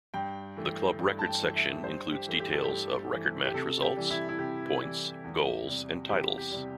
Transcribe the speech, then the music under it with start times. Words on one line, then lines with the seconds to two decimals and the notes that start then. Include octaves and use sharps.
The club records section includes details of record match results, points, goals and titles.
0.14 G2 G5
0.57 E3 A3
0.99 G2
1.19 A5
1.27 G5
1.41 E3 A3
1.55 E5
1.84 G2 C5
2.12 G4
2.26 E3 A3
2.40 G4
2.53 A4
2.64 G4
2.69 G2
3.12 E3 A3
3.44 G4
3.54 C3 A4
3.82 G4
3.96 E3 G3
4.11 E4
4.29 E4
4.39 C3 G4
4.82 E3 G3
5.24 E2
5.67 C3 G3
6.09 E2 G4
6.38 G4
6.52 C3 G3